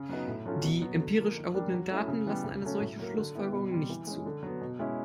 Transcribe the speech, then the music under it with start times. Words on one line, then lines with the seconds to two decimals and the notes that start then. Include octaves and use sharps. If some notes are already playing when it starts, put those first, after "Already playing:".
Die empirisch erhobenen Daten lassen eine solche Schlussfolgerung nicht zu.
Already playing: C#3
0.09 F#3 B3 D#4
0.28 A2
0.46 F#3 A3 C#4 F4
0.63 B2
0.82 F#3 B3
0.99 D3
1.18 F3 A#3
1.36 D#3
1.54 G3 A#3 D4
1.71 F#3
1.89 A3 C#4 E4
2.08 C#3
2.26 E3 G3 B3
2.44 C#3
2.62 F#3 A3 C#4
2.80 A2
2.99 F#3 A#3
3.16 D3
3.35 G3 B3 E4
3.52 B2
3.71 G3 C4
3.89 E3
4.07 G#3 C#4
4.26 D3
4.43 F#3 B3
4.61 B2
4.79 G#3 C#4 E4